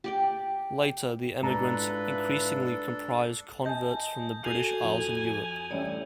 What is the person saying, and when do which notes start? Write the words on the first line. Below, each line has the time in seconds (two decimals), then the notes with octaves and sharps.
Later, the emigrants increasingly comprised converts from the British Isles and Europe.
0.04 G4 D5 G5
1.43 G#2 D4 E4 F4 A4 B4 A#5
3.65 D#5 G#5 A5 D#6 G6 A#6
4.44 F#4 A4 G#5 G6 C7 F7 F#7
4.83 F2
5.71 A1 G3 A3 C#5 D5